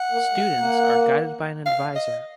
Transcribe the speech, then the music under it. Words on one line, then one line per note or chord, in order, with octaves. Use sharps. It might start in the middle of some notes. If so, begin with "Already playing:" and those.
Students are guided by an advisor.
Already playing: F#5
A#3
G#3
A#3
F5
D#5